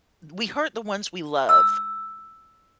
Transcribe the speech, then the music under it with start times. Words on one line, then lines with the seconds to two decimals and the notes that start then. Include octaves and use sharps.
we hurt the ones we love,
1.49 E6